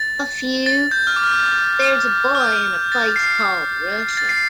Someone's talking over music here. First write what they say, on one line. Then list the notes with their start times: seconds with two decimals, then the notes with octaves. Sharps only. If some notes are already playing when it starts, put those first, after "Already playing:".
A few...There's a boy in a place called Russia.
Already playing: A6
0.66 A6
0.91 G6
1.07 F6
1.16 D6
1.24 F6
2.35 F6
2.41 G6
2.92 A6
3.16 C7
4.17 A6
4.29 C7